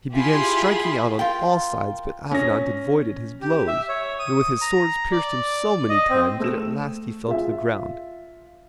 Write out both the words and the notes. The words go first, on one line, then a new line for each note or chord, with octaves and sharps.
He began striking out on all sides, but Avenant avoided his blows, and with his sword pierced him so many times that at last he fell to the ground.
E4 F4 G4 G#4 B5 C6
F4 A#4 G5
C#4 A#6
G4
E5
C#5
D#6
A#5
D5
D#5
C4
A3 E6 E7
F4 E5